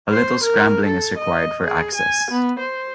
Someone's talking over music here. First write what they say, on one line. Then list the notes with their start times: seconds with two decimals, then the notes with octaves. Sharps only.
A little scrambling is required for access.
0.12 C5
0.44 A#4
0.85 A4
1.18 D#5
1.64 G#4
1.95 G#5
2.31 B3
2.59 C5